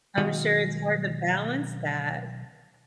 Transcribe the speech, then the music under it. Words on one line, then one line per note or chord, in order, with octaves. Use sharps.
I'm sure it's hard to balance that.
B1 D#3 G#3 F#4 F5 G#5